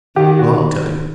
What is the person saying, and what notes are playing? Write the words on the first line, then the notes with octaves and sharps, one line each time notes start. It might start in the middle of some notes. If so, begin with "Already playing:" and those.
Well, I'll tell you.
D#3 G4
F#4